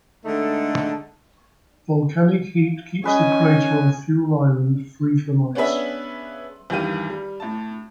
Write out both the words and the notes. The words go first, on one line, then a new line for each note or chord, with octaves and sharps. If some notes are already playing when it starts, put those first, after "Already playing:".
Volcanic heat keeps the crater on Thule Island free from ice.
D3 G#3 A3 D#4 A4
C#4 G#4 B4 D#5 G#5
B3 C#4 D4 G#4 B4 E5
E2 G2 D#3 G4 F5 D#7
G3
A2 A5